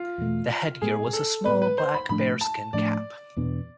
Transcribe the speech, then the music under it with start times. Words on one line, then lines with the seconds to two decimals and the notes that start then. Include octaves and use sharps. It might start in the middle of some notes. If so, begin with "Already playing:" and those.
The headgear was a small black bearskin cap.
Already playing: F4
0.18 E2 B2 A3
0.82 A2 G#3 B3 G#4
1.13 A4
1.46 A2 G#3 B3 B4
1.62 B4
1.78 C5
1.94 B5
2.09 A2 F3 A3 D4 B5
2.41 A5
2.73 A2 F3 A3 D4 D5
3.36 E2 B2 B3 D4